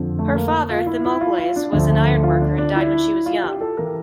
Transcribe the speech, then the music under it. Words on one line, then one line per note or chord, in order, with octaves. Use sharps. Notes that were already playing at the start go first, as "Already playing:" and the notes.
Her father, Thimocles, was an iron worker and died when she was young.
Already playing: F2 D3 F3
A3
A#3
F4
E4
E4
F4
F4
D4
D2 D3 F3
F4
D4
D4
E4
F4
G4
A4
E3 A#4